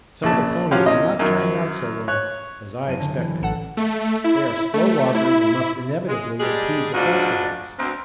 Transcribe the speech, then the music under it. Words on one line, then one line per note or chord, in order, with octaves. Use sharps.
Some of the ponies are not turning out so well as I expected; they are slow walkers and must inevitably impede the faster ones.
A#1 C#3 A5
F3 F#3 C#4 F4 G4
E2 D#5
F#2 D#3
C#5 F#6
F#1 D#7
D3
E3
A1 A4 F#5
A3
E4
A3
E4
G#3
G3 G#3 D4 G4 G#4
D2 G#2 D4 F4 F#4
D2 B2 C4